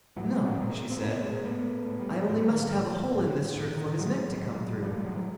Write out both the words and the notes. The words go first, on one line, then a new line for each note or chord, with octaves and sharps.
'No', she said, 'I only must have a hole in this shirt for his neck to come through.'
A2 E3 F#3
F3 G3
B3 C#4
A2 A#3 C4
G#3 A#3
A#3 C4
A2 A3 B3
G#3 A#3
A2 A3 B3
A2
G3
G#3
A3
A2 G#3 A#3
G3 A3
D#3
D3
A2
A2
A2 D#3
D#3
A2 F#3 G#3
A2
A2 F3 G3
G3 A3
F#3 G#3
E3 F#3